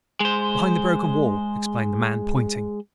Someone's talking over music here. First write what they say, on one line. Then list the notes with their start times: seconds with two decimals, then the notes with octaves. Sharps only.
"Behind the broken wall," explained the man, pointing.
0.20 G#3 C5